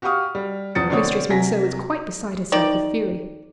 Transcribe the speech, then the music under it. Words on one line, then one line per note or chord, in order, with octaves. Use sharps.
Mistress Monceux was quite beside herself with fury.
F#4 G4 F5 C#6 D#6 F6
G3
E2 F3 D#6 A6 C#7
B2 D3 C4 C#5 D5 D#6
C3 F#3 G#5 A#6 B6
D#3 D5